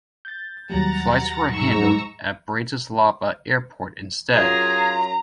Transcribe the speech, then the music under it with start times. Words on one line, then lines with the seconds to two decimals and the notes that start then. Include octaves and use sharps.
Flights were handled at Bratislava Airport instead.
0.25 G6 A6
0.70 D#2 F#3 G3 F#5 A#5 A6
1.51 G#2 A#5 C#6 E6
4.34 F#2 F4 G#4 A#5